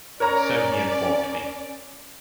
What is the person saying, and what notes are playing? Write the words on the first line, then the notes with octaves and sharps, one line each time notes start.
So he informed me.
C#4 A#4 C#5 D5 A#5